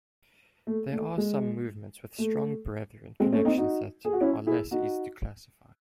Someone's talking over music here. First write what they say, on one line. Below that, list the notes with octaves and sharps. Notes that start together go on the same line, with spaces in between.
There are some movements with strong Brethren connections that are less easy to classify.
A3
A3
G#3
A3
G#3 C4
A3 C#4
C4 D#4
D#4 F#4
G#4
F#4
C#4 E4
E4 G#4
D#4 F#4